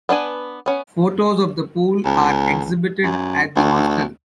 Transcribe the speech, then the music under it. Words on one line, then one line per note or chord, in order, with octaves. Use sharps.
Photos of the pool are exhibited at the hostel.
B3 D4 B4 G#5
B3 C#4
C#2
F#2
D2